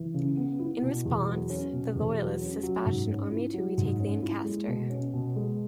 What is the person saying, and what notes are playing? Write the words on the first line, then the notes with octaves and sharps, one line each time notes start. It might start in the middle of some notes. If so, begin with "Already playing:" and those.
In response, the Royalists dispatched an army to retake Lancaster.
Already playing: E3
C#3
B3
E4
B2
E2
F#3
C#4
B2
E2
F#3
C#4
F#3
G#2
C#4
E4
F#3
G#2
C#4
E4
G#3
B2
C#4
B2
G#3